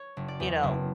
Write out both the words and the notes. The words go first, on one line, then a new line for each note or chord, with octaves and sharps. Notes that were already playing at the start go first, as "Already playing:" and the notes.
You know?
Already playing: C#5
F#1
D5
E2
F#1